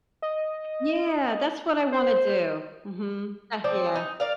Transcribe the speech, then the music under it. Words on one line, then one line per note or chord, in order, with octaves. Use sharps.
Yeah, that's what I wanna do. Mhm. Ah, yeah.
D#5
C5
F3 C4 D5
D#4
A#4 D5 F5